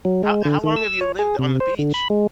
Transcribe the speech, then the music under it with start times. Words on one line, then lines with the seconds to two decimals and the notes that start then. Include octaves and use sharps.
How how long have you lived on the beach?
0.05 F#3
0.23 G#3
0.45 D3
0.64 D#3
0.76 E6
1.01 C#5
1.19 G#4
1.39 C3
1.60 C5
1.79 D3
1.94 B5
2.10 G#3